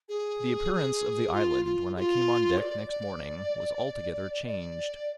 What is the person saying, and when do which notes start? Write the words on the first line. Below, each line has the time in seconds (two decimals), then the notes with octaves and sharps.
THE appearance of the island when I came on deck next morning was altogether changed.
0.09 G#4
1.34 F4
1.65 F4
1.96 G#4
2.00 F4
2.58 D5
2.90 D5
4.47 D#5
4.51 D5